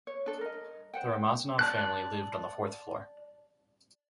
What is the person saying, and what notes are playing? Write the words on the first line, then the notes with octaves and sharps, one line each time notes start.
The Ramazanov family lived on the fourth floor.
C#5
D4 A4
A#4 D#5
C5 F#5 G5
D5 A5 F#6